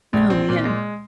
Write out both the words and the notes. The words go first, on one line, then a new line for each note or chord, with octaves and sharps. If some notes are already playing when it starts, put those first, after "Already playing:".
Oh, man.
A#1
C4
A#2
G#3